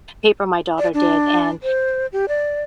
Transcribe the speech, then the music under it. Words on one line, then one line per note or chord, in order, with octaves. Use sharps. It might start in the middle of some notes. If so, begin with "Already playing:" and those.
paper my daughter did, and
D5
D4
C5
G4
D5